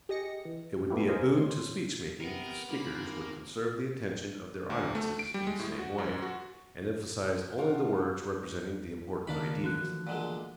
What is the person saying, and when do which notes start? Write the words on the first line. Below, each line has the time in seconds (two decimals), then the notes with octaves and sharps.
It would be a boon to speech-making if speakers would conserve the attention of their audiences in the same way and emphasize only the words representing the important ideas.
0.09 G4 G#4 D#5 A#6 C#7
0.45 E3
0.90 A3 B3 D4 E4 F4 G4
1.07 A#4 C5 D#5 F5 G#5 A#5
1.37 D3 D#3 A3 C4 C#5 C6
2.20 C3 B3 A#4
2.70 G#1 A#3 B5
4.70 D2
4.95 A3
5.19 D7
5.34 G3
5.47 G#3
5.59 A2
5.79 F#4
5.98 F#2
6.22 F#4
7.58 D4 F4 A#4 C#5 F5 F#5
9.27 C#2 D#3 A#3 D4 B5
9.64 E3 F3 A3 F#4 F#6
10.07 A#2 D3 G#3